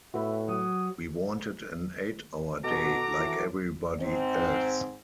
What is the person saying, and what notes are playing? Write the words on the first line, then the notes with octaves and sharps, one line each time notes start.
We wanted an eight-hour day like everybody else.
A2 F#4 B4 E5
F#3 D#6
B2 F#4 A4 A#5 D6
E3
G#2 C4